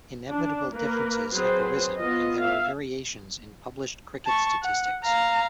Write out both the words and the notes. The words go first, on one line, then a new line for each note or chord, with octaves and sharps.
Inevitable differences have arisen and there are variations in published cricket statistics.
D4
A#3 A#4 B4
F#3 C4 G#4 B4 C5
B3 F4 D#5
E5 F5
A5 C#6
F#5
F5 A#5